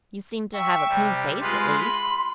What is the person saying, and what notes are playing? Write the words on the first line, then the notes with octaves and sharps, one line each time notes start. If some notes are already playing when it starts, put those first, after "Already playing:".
"You seem to have a clean face, at least."
E5 G5 C#6
C3 G3
G#3 F4 B4 C6
B5